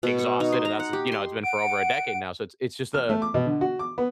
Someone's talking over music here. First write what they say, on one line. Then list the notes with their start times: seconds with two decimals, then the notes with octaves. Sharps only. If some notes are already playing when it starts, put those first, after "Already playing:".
exhausted and that's, you know, it's been for over a decade now. So it's it's just a
0.03 B2
0.19 C#6
0.40 D#4
0.52 C6
0.65 A#5
0.80 F#5
0.93 G4
1.12 C6
1.43 F#5 D7
2.94 F6
3.09 A3
3.22 D6
3.34 B2
3.46 D3
3.61 F#4
3.79 D6
3.98 B3